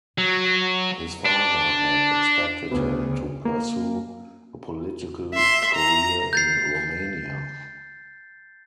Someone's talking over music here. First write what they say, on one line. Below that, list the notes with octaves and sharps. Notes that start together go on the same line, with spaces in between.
His father had expected him to pursue a political career in Romania.
F#3
D4
D2 C#3 B3
A#3
E5 C6
A#5
G6 A6 C7